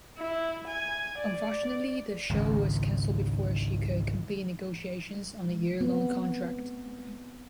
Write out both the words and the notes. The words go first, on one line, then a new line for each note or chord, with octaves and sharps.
Unfortunately, the show was canceled before she could complete negotiations on a year-long contract.
E4
G#5
D5
G#1 C#2
B3 C4